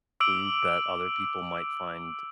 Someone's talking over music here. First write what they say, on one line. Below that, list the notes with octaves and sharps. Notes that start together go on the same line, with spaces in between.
food that other people might find
D6 E6 D7 F#7